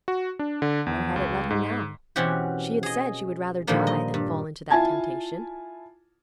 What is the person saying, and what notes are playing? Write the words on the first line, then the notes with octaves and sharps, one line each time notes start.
Where had it led her now? She had said she would rather die than fall into that temptation.
F#4
D4
D3
E2
C#2
G#2
B2 E3 C4 C#4 F#4 G4
G#4 D#5
A#2 D3 D#3 F3 G3 A#3
D#5
G2
E4 F4 G#5 A5 G#6